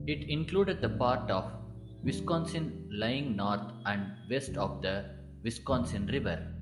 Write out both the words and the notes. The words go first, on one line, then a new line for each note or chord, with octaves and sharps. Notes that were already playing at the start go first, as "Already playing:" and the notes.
It included the part of Wisconsin lying north and west of the Wisconsin River.
Already playing: E1 D2 D3
B1 A2 F#3 C#4
E2 D3 G3
B2 A3 E4
C#2 C#3 F#3 C#4
E1 E2 D3 F#3